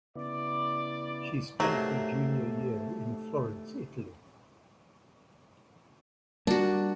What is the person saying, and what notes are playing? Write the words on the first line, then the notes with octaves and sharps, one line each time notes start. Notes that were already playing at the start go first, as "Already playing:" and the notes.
She spent her junior year in Florence, Italy.
C#3 B3 E4 D5
G#2 C3 F#3 A3 A#3
G3 A#3 D4 F#4